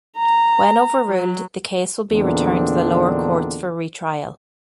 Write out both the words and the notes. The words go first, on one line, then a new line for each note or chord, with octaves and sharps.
When overruled the case will be returned to the lower courts for retrial.
A#5
F#3
E2 A#2 D3 C4 D4 D#4